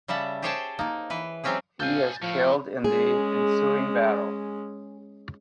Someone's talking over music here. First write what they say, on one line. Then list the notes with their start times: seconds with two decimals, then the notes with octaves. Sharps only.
He is killed in the ensuing battle.
0.08 C#3 G3 E5 F#5 A5
0.42 G4 G#4 C5 C#5 G5 A5
0.79 A#3 D#4
1.10 E3 B4
1.44 F#3 G#3 C4 C#4 G4 G#4
1.80 C4 A4 F5 G#5 G6
2.22 A2 F3 F5
2.84 G#3 C#4 G#4